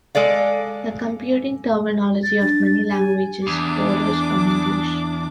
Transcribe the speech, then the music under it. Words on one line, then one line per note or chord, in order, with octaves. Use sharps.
The computing terminology of many languages borrows from English.
G#3 A4 D5 F5
A6
D4
A6
G4 G#5
E2 D4 D6